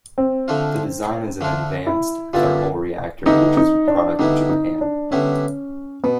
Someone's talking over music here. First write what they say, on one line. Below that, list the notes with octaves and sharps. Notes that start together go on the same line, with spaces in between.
The design is an Advanced Thermal Reactor, which is a product of Japan.
C4
D3 F3 A3 D4 F4
D3 F3 A3 D4 F4
E4
D3 G3 B3 E4 F4
D3 G3 B3 D#4 E4
D#4
D4
D3 G3 B3 D#4 E4
D#4
D4
D3 G3 B3 C#4 E4
B2 B3